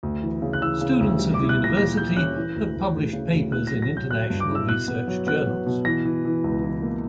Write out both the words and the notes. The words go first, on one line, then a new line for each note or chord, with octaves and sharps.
Students of the University have published papers in international research journals.
D2
E3
C#3
F#6
E3 E6
C#3
D2
G3
D6
E4
F#6
A#2 A#6
A#2 A#6
E4 G6
C#4 F#6
E3
D2
D2
D2
C#3
D2
E4 F#6
F#3 A#6
A#6
F#3 G6
F#3 F#6
G2
D6
E4
E6
B2 F#6
B3
F#3
B3 F#6
F#3
B2
E3 A#6
E3
E3
C#2
E3
A#3